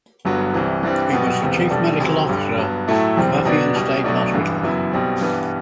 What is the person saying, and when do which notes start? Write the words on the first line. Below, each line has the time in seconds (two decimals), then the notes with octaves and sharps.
He was the Chief Medical Officer of Afyon State Hospital.
0.25 G1 G2 F#3 B3
0.54 C2 C3 E3
0.83 G2 E3 G3 C4
1.12 B1 B2 G3 B3 F#4
1.42 E1 E2 C3 G3 B3
1.70 B1 B2 G3 D4 A4
2.00 D2 C3 F#3
2.29 G1 G2 D3 G3
2.58 G2 F#3 B3
2.88 A2 F#3 A3 E4 A4
3.16 F#1 E2 C3 G3 C4
3.45 B2 F#3 B3 D4
3.75 C2 B2 G3
4.04 B1 B2 F#3 A3 D4
4.33 A1 G2 E3
4.62 F#1 F#2 F#3 B3 E4
4.92 B1 B2 G3 C4
5.21 G2 E3 G3 B3